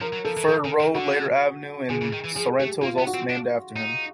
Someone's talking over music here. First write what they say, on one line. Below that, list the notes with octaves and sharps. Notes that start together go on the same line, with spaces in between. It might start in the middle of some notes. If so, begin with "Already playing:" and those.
Kerferd Road, later Avenue, in Sorrento is also named after him.
F3 A#4
F#3
F3 A4
E3
F3 A4
D#3
D#3
D3 F#4
D3 G#4
C#3
D#3
E3
F3 G#4
A3 G4
A#3 F4
B3
F#4
C4
D4
D#4